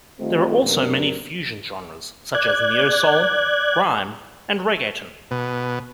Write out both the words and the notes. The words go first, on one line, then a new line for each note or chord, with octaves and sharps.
There are also many fusion genres such as Neo soul, Grime, and Reggaeton.
D#3 G3 A3 C4 D#4 F4
F#2 C3 A#3 B3 D4 A#4
D5 F#6 G#6
B2